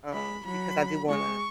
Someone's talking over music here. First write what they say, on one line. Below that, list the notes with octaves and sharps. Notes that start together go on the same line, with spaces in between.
um, because I do wanna
G#3 B5
F#3 B5
G#3 C#6